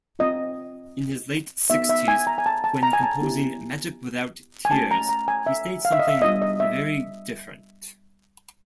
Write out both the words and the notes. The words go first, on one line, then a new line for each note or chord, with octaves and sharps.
In his late sixties, when composing "Magick Without Tears", he states something very different.
C4 F4 D#5
B3 D#4 F#4 E5
E5
G#5
A#5
G#5
A5
A5
A#5
G#5
A5
B3 E4 G4
G#5
A3 C#4 F#4 A5
A#5
A#5
G#5
E5
F5
E5
D#5
E5
G3 B3 D4 F4 D#5
D#5
E5